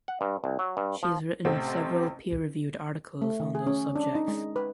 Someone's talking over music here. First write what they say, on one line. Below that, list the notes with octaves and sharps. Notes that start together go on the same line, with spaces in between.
She has written several peer reviewed articles on those subjects.
F#5
G2
C2
F#3
G2
F3
A1 C3 A3 C4
A3
D#3
G#4
C#4
D4
D#4
G#3
B4